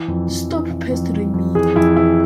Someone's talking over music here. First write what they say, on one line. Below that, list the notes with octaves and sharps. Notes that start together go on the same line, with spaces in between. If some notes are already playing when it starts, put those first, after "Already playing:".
Stop pestering me!
Already playing: E3
F2
F2
E3
E3
F2
E3
F2
E3 G#4
F2 E4
E3 E4